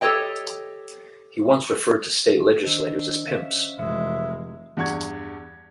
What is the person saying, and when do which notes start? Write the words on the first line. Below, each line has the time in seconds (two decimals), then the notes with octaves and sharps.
He once referred to State legislators as "pimps".
0.01 G4 A4 A#4 C#5 D#5 G5
2.64 D#3 D4 C5 D#5 E6
3.28 C#4 E5 F5
3.79 F1 E3 G#3 E5
4.77 E2 G2 F#5 C#6 G#6